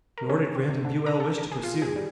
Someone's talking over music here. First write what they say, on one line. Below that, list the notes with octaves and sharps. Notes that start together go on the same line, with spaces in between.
Nor did Grant and Buell wish to pursue.
A#4
C#4
C4
C3
D3
A#5
A4
A#4
G#4
F4
G#4
G3